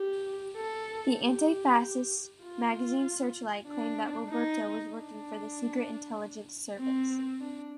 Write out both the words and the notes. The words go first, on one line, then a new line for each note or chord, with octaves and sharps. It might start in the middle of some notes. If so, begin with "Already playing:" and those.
The anti-fascist magazine "Searchlight" claimed that Roberto was working for the Secret Intelligence Service.
Already playing: G4
A4
G4
F4
D4
D#4
D4
C4
D4